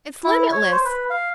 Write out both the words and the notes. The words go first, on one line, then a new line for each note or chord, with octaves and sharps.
It's limitless.
E4
C#5
C5
B4
F5